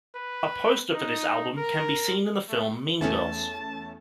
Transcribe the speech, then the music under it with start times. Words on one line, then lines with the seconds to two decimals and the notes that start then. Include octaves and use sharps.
A poster for this album can be seen in the film, "Mean Girls".
0.15 B4
0.93 D#4
1.57 A#4
2.49 A3
3.01 E2 A3 C#4 A5